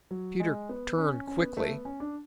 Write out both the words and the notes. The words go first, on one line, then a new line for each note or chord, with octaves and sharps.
Peter turned quickly.
F#3
G#3
B3
C#4
C#4
B3
A3
B3
C#4
D4